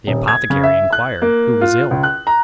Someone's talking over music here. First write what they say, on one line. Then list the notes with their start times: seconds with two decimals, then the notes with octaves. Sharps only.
The apothecary inquired who was ill.
0.07 D#1
0.28 G#6
0.50 C#3
0.64 E5
0.93 F#6
1.22 A#3
1.61 F4
1.91 C#2
2.03 F#6
2.27 A#5